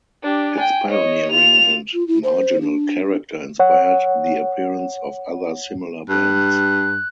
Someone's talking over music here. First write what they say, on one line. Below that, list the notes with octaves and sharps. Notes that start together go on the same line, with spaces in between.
Its pioneering and marginal character inspired the appearance of other similar bands.
D4 G4
G5 G#5
C#5 D#5
F4 F7
F4
E4
C5
D4
C#5 F#5
G2 F#6